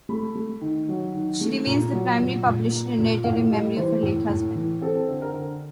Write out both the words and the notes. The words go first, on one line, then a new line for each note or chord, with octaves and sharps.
She remains the primary publisher and editor in memory of her late husband.
A3 B5
A3
D#3
F#3
D#3
A3
A#2 A#5
F#3
A#2
A#2
A#3
A#2
A2 F5
G3 D#5
E3 C5
A2
A2
E3
C4 A4
D3
A#4
D3